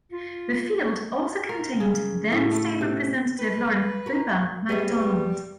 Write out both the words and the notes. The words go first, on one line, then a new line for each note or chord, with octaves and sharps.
The field also contained then state representative Lauren "Bubba" McDonald.
F4
A#4
C#3
A2
A3
C3
B4
F#4 A#4
G3 B3 G#4 E5